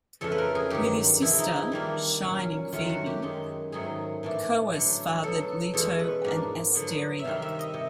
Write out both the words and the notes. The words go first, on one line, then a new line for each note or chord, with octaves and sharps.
With his sister, "shining" Phoebe, Coeus fathered Leto and Asteria.
F2 C#3 E3 A3 C#4 A4
B4
A#4
G#4
G2 D#3 F#3 G4
E2 C3 F3 E4
D#4
E4
D#3 G3 A#3 D4
A#2 F#3 A#3 C#4
F#2 D#3 F#3 A3 F4
F#4
G4
F#2 D#3 G#3
G#2 D#3 F#3 A3 G#4
A2 E3 A3 D4
D3 F#3 A3 D4
B2 F#3 B3 A4
E2 B2 G#3 C#4 A4
B4
G#2 F3 A#3 D4
D3 F#3 B3
E5
C3 D#3 G3 F5
E5
D#5
C3